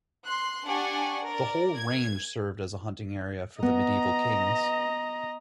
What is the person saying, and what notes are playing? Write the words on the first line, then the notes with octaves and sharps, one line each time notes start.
The whole range served as the hunting area for the medieval kings.
C6 F#6
D4 G4 D5 F#5 G#5 C#6
A#4 D5
G#6
B3 D#5 A#5